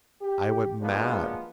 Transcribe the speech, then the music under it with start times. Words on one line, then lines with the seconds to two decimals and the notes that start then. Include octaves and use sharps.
I went mad!
0.21 G4
0.81 F3 F#3 G#3 A#3 B3 D4